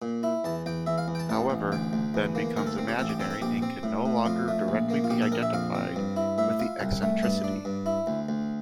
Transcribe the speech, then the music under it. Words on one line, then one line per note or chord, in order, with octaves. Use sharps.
However, then becomes imaginary and can no longer directly be identified with the eccentricity.
A#2
E4
E2 A5
E2 G5
E2 E5
F5
E2
G5
A5
A1 A5
A1
D2 G5
D2
E2
A#3
D2 A#4
A4
C4
G4
A1 A4
G4
C4 A4
A4
A#1 G4
C4
A2
A2
F2 F4
A3
A#1
A#3
F4
A#1 G4
A4
A#1 A#4
E5
F2 F5
C4
G2
E4
A2 E5
F4
C2
A3
G2 A5
D4
G2
E4
D2
D2